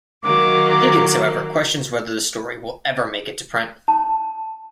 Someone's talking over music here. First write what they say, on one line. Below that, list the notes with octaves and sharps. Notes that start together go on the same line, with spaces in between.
Higgins, however, questions whether the story will ever make it to print.
D#3 F#3 A#3 D6
A5